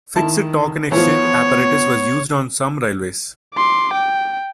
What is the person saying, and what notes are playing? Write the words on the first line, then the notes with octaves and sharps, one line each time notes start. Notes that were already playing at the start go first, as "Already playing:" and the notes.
Fixed token exchange apparatus was used on some railways.
D#3 E4 A5
E3 F3 B3 C#5
C6 D6
G5